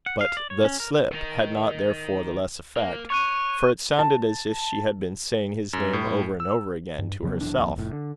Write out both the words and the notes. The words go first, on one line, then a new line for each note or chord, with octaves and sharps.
But, the slip had not, therefore, the less effect; for it sounded as if she had been saying his name over and over again to herself.
F#5
F5
D5
C#5
C#4
A#4
D#3 D#4
A#3
C#5 C#6 F#6 D#7
A5
F#2
A2
E6
G2
F2 C#3 F#3 B3
F1 B1 E2 D4
D#1 A#1 F2
F1 A2
D3